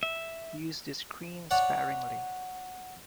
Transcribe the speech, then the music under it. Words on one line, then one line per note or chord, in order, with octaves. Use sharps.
Use this cream sparingly.
E5
C#5 D5 F#5